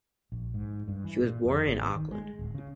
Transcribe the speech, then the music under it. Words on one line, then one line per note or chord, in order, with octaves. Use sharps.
She was born in Auckland.
A#1
G#2
G2
E3
A#2
F2
G#1
D#3
G#3
D1
C#3